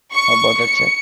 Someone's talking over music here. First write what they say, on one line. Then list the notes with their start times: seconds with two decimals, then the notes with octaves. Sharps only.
How about that check?
0.13 C#6
0.61 C#7